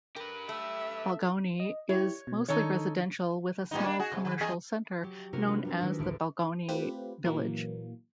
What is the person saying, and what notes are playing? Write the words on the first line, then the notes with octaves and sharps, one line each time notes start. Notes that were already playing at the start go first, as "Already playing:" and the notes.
Balgownie is mostly residential with a small commercial centre known as the Balgownie Village.
G4 A#4 B4
A3 E5
D#5
E4 G4 C#5
B2
D#3 D4 D#4 A4 C#5
A2 G3 D#4
A#3 D4
F#4 G#4
F2 C3
D#3
E2 G#4 D#5
F#3 G4
C3 A#3 D4 F4 F#4 A#4
B3
G3 A#3 C4
D#3 G#3 D4 E4 B4
A1 D2 B4 D7
A3 C4 F4 G4 B4
A#2 E3 F#3 A#3